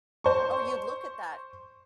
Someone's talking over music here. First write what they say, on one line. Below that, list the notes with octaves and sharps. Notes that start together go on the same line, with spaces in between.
or you'd look at that,
C5 C#6